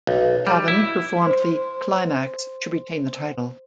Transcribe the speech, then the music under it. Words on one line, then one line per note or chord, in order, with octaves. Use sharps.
Taven performed the "Climax" to retain the title.
B1
G3
E4
C5 C6